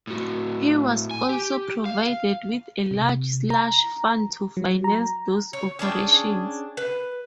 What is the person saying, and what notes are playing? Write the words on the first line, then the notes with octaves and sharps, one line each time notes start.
He was also provided with a large slush fund to finance these operations.
A2 F#4
G#5
G4
F5
C3
A#5
F#3
A#5
C#5
C#4 D4 G#4 G5
B4